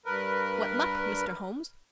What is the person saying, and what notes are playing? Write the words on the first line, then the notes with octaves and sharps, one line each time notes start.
"What luck, Mr. Holmes?"
G2 A#4 B4